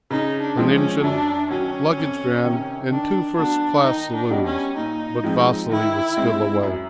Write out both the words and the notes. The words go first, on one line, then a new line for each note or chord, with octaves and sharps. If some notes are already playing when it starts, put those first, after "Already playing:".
An engine, luggage-van, and two first-class saloons; but Vasily was still away.
C#3 D#4
D4
F3 G#3 C4
C#4
F#2 D4
D#3 F#3 C#4
F2
C3 D#3
D#3 D4
F#3 B3 D4
D#3 D#4
D4
G3 B3 D#4 F#4
C#4
A#2 D#4
F3 G#3 C4
D#3 E4
G#3 C4
F#2